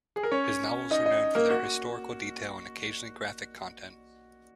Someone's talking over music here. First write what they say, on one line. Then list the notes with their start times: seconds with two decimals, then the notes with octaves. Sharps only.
His novels were known for their historical detail and occasionally graphic content.
0.16 G#4
0.23 A#4
0.32 C#4 C#5
0.91 D#4 D#5
1.05 D#4 D#5
1.35 A#3 A#4
1.50 F#4